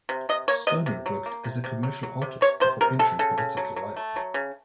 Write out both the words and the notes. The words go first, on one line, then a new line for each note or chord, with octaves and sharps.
Stoner worked as a commercial artist before entering political life.
C3
C3 D#5
A#3 C#5
C3 D#5
C3
F#3
A#3
C3
C3
F#3
F#3
C3
C3 C#5
C3 C5
C3 A#4
C3 A4
C#3 A4
C#3
F#3
F#3
A3
F#3
C#3